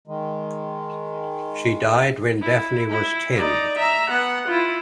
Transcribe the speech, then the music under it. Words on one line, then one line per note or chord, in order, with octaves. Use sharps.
She died when Daphne was ten.
D#3 G#3
E4
E4
D#4 D5
E5 A#5
B3 F#5
E4 F4